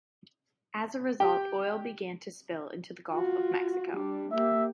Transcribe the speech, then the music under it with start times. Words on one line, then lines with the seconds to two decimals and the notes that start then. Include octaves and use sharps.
As a result, oil began to spill into the Gulf of Mexico.
1.20 G4 G5
3.12 F4 F#4
3.92 G3 D4
4.32 A#3 G4 E5